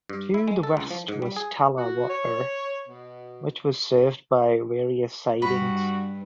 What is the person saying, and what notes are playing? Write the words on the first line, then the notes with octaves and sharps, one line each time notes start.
To the west was Talla Water which was served by various sidings.
G2
E4
G#3
A4
C#2
F3
G#2
G3
G#4
F#4
C#5
B2
G2 F#4 B4